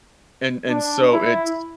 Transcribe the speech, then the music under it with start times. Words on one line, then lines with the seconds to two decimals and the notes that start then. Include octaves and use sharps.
and and so it's
0.68 D4
1.13 E4